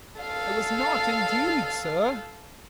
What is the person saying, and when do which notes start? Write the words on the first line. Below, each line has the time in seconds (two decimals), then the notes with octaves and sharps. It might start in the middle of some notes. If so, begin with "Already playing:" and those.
'I was not, indeed, sir.'
0.21 A4 F5